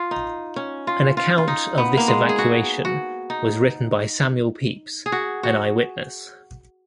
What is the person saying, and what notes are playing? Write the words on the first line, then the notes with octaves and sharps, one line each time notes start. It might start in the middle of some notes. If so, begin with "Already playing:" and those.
An account of this evacuation was written by Samuel Pepys, an eyewitness.
Already playing: F4
D#4
C#4
F4
F4
F4
D#4
B3
A#3
G#3
G#4
F#4
F#4
D#4
G#4
F#4
F#4